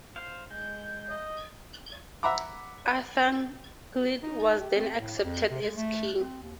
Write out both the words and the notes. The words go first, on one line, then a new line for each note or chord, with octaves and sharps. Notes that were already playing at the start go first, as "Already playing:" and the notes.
Athanagild was then accepted as king.
C5 F5
G#3 G6
D#5
E5 F#5 A#5 B5 D6
D#4
G4
C4
A2
F2
C3
G#3
A3
C4
D#2